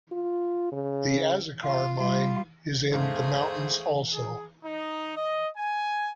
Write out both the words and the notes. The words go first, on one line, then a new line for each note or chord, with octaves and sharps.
The Azucar Mine is in the mountains also.
F4
C#3
F4
G3 F4
E2 G#2 D3 A3 G#4 C5 F5
G#4
D#4
D#5
G#5